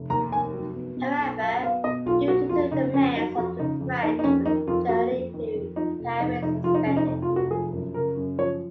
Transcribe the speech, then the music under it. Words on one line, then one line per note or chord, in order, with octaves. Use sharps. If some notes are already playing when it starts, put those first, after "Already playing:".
However, due to the demands of the French, the journey to Paris was suspended.
Already playing: F1
D#2 A#5
F1 G#5
F#3
B3
B2
B1
F#3 F5
F#5
B3 F5
B2 D#5
B1 F4
F#3 F#4
F2 F4
C#3 D#4
F2 C#4
F#3 D#4
F2 F#4
C#3 D#4
F2
A#3 D#4
D#4
F2 C#4
D#3 D#4
F2 F4
A#3 F#4
F2
D#3
F2
F3 D#4
F1
F2 D#4
F1 D#4
F3 F4
D#4
F1 C#4
D#4
F2 D#4
F4
F1
F#4
F3 G#4
F#2
C#3 A#4
F#2
F3 C#5